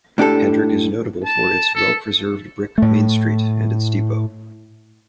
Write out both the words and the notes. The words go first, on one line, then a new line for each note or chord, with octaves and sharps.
Hedrick is notable for its well-preserved brick Main Street and its depot.
A2 D4 G4 A4
A5
A4
A2 A3